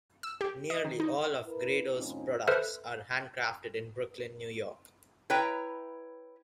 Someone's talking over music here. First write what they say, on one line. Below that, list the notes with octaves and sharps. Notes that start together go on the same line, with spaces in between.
Nearly all of Grado's products are hand-crafted in Brooklyn, New York.
E6
G4
D#5
D#3
D#4
E4 A#4 B4
D#2 A2 C4 C#4 D#4 F4
A4 B4 C5 E5 F6
E4 B4 C#5 G5 A#5